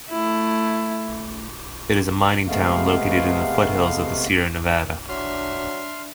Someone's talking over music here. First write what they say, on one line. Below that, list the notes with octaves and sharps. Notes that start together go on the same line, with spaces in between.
It is a mining town located in the foothills of the Sierra Nevada.
A3 E4
C3 G#3 A3 B3 F5
F#3 D4 E5 C6 F6